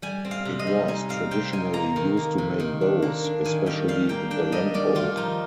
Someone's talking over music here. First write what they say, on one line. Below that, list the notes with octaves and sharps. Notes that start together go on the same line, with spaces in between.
It was traditionally used to make bows, especially the longbow.
G3 G#5
C4
F5
C3
D#5
G3
D#4 G#5
C4 F5
C3 G5
D#4 G#5
A#3 A#5
D#3
A#3
C3
D#3
D4
A#3
D4
D#3 G#5
G3 G5
G3 F5
A#3 G5
D4 G5
G3 D#5
D#3 D5
D#3 F4
F3 D#4